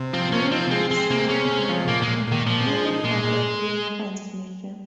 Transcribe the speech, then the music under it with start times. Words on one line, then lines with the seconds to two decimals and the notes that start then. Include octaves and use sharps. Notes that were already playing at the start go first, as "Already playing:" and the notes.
During this time he worked on the theory of radio transmission.
Already playing: C3
0.13 F3 C4
0.32 C3 C#4
0.52 F3 C4
0.71 G#3 C4
0.91 G#3 C4
1.10 C3 A#3
1.29 G#3 C#4
1.50 C3
1.69 F3
1.88 A#2 A#3
2.02 G#3
2.07 A#2
2.27 A#2 D#3
2.46 A#2 F3
2.66 G#3
2.85 D#4
3.05 A#2 G#3
3.24 A#2